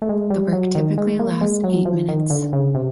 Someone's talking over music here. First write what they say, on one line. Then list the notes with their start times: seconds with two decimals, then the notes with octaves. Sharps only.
The work typically lasts eight minutes.
0.02 A3
0.09 G#3
0.30 G3
0.53 F#3
0.75 D#3
0.98 G#3
1.19 A#3
1.41 G#3
1.64 F#3
1.85 F3
2.09 D#3
2.30 D3
2.53 C#3
2.75 C3